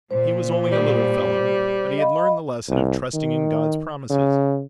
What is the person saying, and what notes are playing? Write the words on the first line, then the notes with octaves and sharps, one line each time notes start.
He was only a little fellow but he had learned the lesson of trusting in God's promises.
A#2 C5
G3
D#5 F5 B5
C2
D#3
C#3